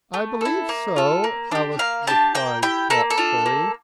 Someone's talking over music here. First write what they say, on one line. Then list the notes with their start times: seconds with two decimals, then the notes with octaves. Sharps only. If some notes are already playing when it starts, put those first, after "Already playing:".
'I believe so,' Alice replied thoughtfully.
0.14 A3
0.41 E4 A4
0.69 A#3
0.96 F4 A4
1.24 A#3
1.52 D4 G4
1.79 A#3 F5
2.07 D4 G4 A5
2.35 A#3 G5
2.62 E4 G4 G5
2.90 A#3 A4
3.10 A4
3.18 D4 F4
3.46 A#3